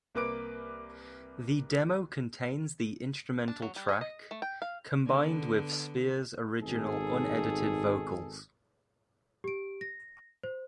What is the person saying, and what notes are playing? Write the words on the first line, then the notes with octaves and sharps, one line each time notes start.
The demo contains the instrumental track, combined with Spears' original unedited vocals.
C2 A#3 B4 D6 D7
D4
F#3
G3
G#4
D#5
A3
G5
F5
D3 B3
G#1 B2 D#4 G#4 A4
G4 D7
A#6
C5